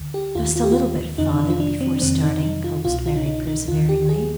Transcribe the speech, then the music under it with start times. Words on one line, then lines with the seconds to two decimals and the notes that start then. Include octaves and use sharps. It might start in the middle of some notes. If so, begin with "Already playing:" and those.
"Just a little bit, father, before starting," coaxed Mary, perseveringly.
Already playing: D2 D3
0.14 G4
0.35 D#2 D#3 F4
0.56 F4
0.63 G4
0.71 F4
1.18 F2 C3 D#3 D#4
1.29 D4
1.39 D4
1.50 F4
1.60 D4
1.81 C4
1.95 D4
2.01 F2 C3 D#3 C4
2.23 D#4
2.43 D#4
2.64 F4
2.85 C2 B2 F4
3.06 F4
3.16 D#4
3.26 D#4
3.47 D#4
3.68 D#2 D#3 F4
3.89 G4
4.09 G#4